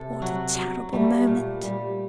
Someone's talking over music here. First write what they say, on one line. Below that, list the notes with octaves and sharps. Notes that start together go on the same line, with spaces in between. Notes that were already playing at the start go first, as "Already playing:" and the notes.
"What a terrible moment!"
Already playing: C3 A4
F#3 F#4
F#3
G3 A3
A#2
G3